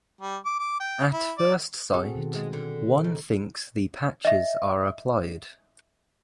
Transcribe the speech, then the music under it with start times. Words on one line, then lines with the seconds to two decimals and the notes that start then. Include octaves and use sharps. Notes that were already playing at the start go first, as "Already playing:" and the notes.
At first sight, one thinks the patches are applied.
0.21 G3
0.45 D6
0.59 D6
0.80 G5
1.12 E4
1.38 D5
1.94 C4 F#4 G#4 A4
2.15 B2 D#3
2.35 G#3
2.53 D3
3.04 D#2
4.25 D#5 E5